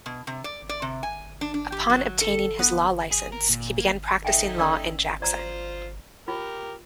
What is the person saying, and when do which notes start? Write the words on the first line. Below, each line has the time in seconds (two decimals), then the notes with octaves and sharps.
Upon obtaining his law license, he began practicing law in Jackson.
0.06 B2
0.27 C3
0.44 D5
0.69 D5
0.82 C3
1.03 G#5
1.41 D4
1.54 D4
1.72 G4
1.90 F#3
2.21 A4
2.59 B3
3.11 G#4
3.32 A#4
3.49 A#2
3.79 A#3
4.25 A3 D#4 E5 G5 G#5
4.58 C#4 D5 E6
5.22 F4 C5 D5 A#5
6.28 F4 G4 A#4